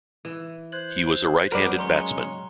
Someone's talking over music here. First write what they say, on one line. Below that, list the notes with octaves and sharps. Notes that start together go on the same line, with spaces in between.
He was a right-handed batsman.
E3
C5 F#6 G#6 F#7
F#3 G#4 A#4 B4 D5
G#3 C#4 A#5 C6 C#6 G7